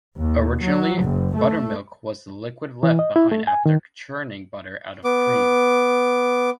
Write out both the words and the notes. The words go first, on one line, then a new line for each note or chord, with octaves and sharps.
Originally, buttermilk was the liquid left behind after churning butter out of cream.
D#2
F#3
F#1
A3
E3
D#5
E4
A3
G#5
D#3
B3 D6